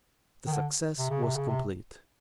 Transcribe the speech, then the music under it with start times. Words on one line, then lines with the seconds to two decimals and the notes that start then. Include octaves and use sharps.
The success was complete.
0.47 D#3
0.53 D3
0.98 C3
1.10 C#3
1.24 C3
1.36 C#3
1.48 C3